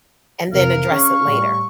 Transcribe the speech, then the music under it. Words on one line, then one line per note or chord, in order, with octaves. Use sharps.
and then address it later.
F2 C3 A#4 F5
C#4 G#4 C#6
A2 G3